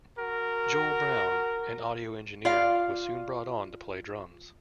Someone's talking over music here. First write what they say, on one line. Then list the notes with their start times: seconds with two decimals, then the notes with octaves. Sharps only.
Joel Brown, an audio engineer, was soon brought on to play drums.
0.18 F#4 A#4
2.45 F4 D5 F5